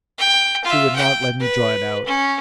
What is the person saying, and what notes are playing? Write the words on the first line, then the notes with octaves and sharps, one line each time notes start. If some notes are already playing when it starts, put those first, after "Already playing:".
She would not let me draw it out.
G5
F4 E5
G5
B4
C#4